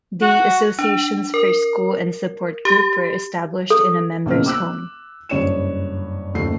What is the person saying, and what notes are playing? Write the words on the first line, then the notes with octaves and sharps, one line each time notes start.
The Association's first school and support group were established in a member's home.
F#4
D4
A#4
G4
A4
B1 C#3 A#3 C4 F6
D6 E6 F#6
F#1 G2 C#5 C#7 E7
F#1 D#2 A3 C7